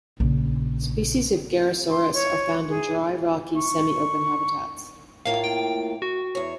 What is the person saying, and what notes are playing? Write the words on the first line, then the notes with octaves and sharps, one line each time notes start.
Species of "Gerrhosaurus" are found in dry, rocky semi-open habitats.
A#1 C#3
C6
C#5
G#4
C#6
A2 A#3 F4 F5
G5
F#4
E2 C#5